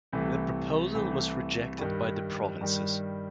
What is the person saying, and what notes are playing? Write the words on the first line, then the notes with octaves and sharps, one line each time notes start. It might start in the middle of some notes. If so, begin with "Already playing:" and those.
The proposal was rejected by the provinces.
C2 C3 E3 A3
C2 C3 E3 A3
G2 D#3 G3
G2 D#3 G3